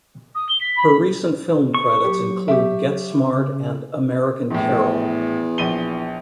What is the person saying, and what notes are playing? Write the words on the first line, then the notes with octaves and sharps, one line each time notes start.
Her recent film credits include "Get Smart" and "American Carol".
D#6
G7
B6
B5
C#6
F#3 G4
G4 E5
C#3
A#1 E2 A2
A#1 D#7 G7